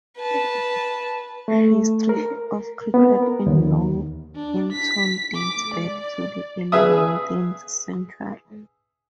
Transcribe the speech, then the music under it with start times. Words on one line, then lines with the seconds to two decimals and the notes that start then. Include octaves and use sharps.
History of cricket in Long Eaton dates back to the early nineteenth century.
0.17 B4 A5
1.48 A3
2.09 A#4
2.94 B3
3.22 A#4
3.47 D#2
4.35 D4
4.73 B6
5.35 D6
5.75 D5
6.72 G#4 B4 E5 D#6